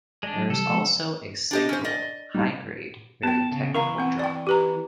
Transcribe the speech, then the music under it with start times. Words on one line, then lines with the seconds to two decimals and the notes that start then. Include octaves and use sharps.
There is also a single high-grade, very technical drop.
0.23 G#3 D4 D5 A#6
0.36 F#3
0.50 C3 E3 G3 A4
0.67 F3 G#3
1.51 D4 G4 D#5
1.69 C#4 C5
1.84 D5 D#5
2.34 G3 D#4 F5
3.23 B3 G5 A5
3.51 C#3
3.74 E3 A#4 F5 A#5 C#6
3.98 C4 F#5
4.19 D5 G5
4.47 G4 B4 A#5